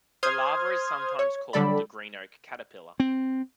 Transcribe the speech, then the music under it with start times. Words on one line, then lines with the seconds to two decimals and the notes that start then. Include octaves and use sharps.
The larva is sometimes called the green oak caterpillar.
0.23 C5 C6 D#6 F6 G#6
1.19 C#5
1.53 D3 F#3 G3 A4 D5 B5
3.00 C4